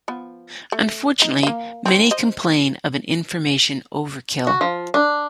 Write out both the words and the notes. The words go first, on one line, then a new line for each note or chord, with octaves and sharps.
Unfortunately, many complain of an information overkill.
F3 B3
A3
D#4
A#3 F5
C4 C#5
C5 D#5
F#4
F3
D4